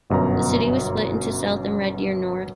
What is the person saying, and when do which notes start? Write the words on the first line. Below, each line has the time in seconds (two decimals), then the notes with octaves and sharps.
The city was split into South and Red Deer-North.
0.10 G1 F#2 B2 A#5